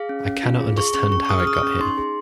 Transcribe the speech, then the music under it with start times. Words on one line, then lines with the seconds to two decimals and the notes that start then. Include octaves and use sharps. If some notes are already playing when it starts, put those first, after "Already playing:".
I cannot understand how it got here.
Already playing: G#4 F5
0.09 C#4
0.26 C#4
0.43 F4
0.60 G#4
0.78 G#4 C#6
0.95 C#4 C#6
1.12 C#4 C#6
1.25 C#6
1.29 G#4 D#6
1.40 F6
1.46 G#4 D#6
1.55 C#6
1.63 C#4
1.80 D#4 C6
1.98 G#4